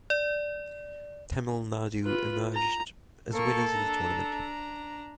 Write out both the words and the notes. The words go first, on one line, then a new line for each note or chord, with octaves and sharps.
Tamil Nadu emerged as winners of the tournament.
D5
F4 B4
A#5
A#3 A4 C#6
D4 A#5